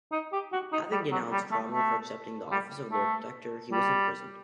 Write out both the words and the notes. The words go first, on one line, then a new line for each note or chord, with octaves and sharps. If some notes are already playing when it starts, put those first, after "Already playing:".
Having denounced Cromwell for accepting the office of Lord Protector, he was imprisoned.
D#4
G4
F#4
D#4
G3
F#3
G3
A3
A3
G3
A3
G3